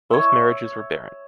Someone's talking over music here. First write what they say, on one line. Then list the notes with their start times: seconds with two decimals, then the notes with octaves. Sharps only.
Both marriages were barren.
0.11 C#5 E5